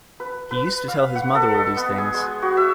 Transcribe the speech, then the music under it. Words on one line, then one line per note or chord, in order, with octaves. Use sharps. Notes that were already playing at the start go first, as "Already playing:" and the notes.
He used to tell his mother all these things.
B4
B4
F5
F#5
A4
D#5
B3
G#4
G#3
F#4
E5